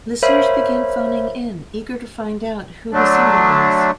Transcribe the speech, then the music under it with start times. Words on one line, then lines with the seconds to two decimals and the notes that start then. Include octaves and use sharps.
Listeners began phoning in, eager to find out who the singer was.
0.23 A#4 C5 C#5 E5 F5 B5
2.92 D3 F#3 A3 D4